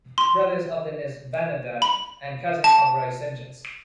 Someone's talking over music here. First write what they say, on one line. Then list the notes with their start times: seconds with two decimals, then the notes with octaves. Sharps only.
Brother of Dennis Vanendert and cousin of Roy Sentjens.
0.18 C6
1.82 B5
2.64 A5